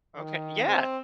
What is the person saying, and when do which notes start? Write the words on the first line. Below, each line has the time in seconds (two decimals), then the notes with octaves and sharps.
Okay, yeah.
0.16 D#3
0.67 C4